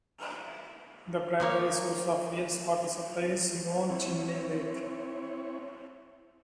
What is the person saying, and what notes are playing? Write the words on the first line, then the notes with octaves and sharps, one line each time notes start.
The primary source of Yale's water supply is Lone Chimney Lake.
F3 A#3 C#5
C4 E4 C#5